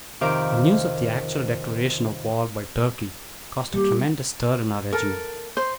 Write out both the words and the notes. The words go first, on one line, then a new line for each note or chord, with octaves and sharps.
The news of the actual declaration of war by Turkey caused a tremendous stir in our regiment.
F2 C3 D#3 A#4 F5 D6
G3 A3 A#3 G4
A4 A#4
C5